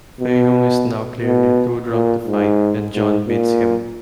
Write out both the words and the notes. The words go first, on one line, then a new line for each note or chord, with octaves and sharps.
Fei-hung is now clearly too drunk to fight, and John beats him.
B2
B2
A#2
G#2
G#2
A#2